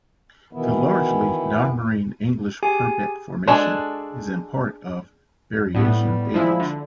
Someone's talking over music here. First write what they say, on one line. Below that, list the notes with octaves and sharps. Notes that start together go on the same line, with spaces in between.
The largely non-marine English Purbeck Formation is in part of Berriasian age.
B2 D#3 E3 B3 E4
G4 G#4 G#5
G#3 D4 F#4 G#4 A4
A2 G3 B3
F3 G#3 E4
D3